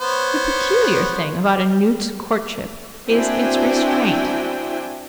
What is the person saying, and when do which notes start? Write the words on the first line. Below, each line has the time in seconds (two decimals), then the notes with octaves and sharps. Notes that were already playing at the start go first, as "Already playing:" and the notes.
The peculiar thing about a newt's courtship is its restraint.
0.01 B3 C5 C#5
3.07 C4 D4 E4 F#4 G5 G#5